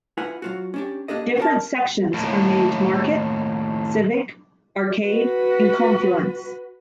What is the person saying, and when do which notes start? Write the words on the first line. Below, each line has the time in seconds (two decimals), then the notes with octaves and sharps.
Different sections are named Market, Civic, Arcade, and Confluence.
0.17 E4 F4 B4 F#5 G#5
0.42 F#3 F4 F#4
0.74 C#4 D4 G4
1.08 A#3 D4 G4 A4 D#5
1.38 C#4 A#4 A5
2.13 D#2 A2
5.05 F#4 B4